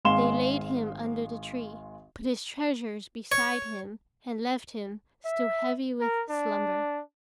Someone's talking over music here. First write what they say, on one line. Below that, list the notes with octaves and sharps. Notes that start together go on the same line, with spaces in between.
They laid him under the tree, put his treasures beside him, and left him, still heavy with slumber.
G#1 G#3 F5 C6 E7 G7
C#5
E5
A#4
D4